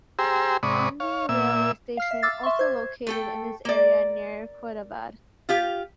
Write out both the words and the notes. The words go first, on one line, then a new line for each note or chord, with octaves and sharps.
Landhi railway station also located in this area near Quaidabad.
G4 G#4 C5 A#5 C6 E6
G#2 C3 D5 B5 C#6 D#6
C#5 F5
A#2 E5 E6
F5 F6 C7
E5
D6 E6 F6 A6
E5 C6 C#6
C5 G#6
A3 A4 G5
A#3 D5
F4 G4 F5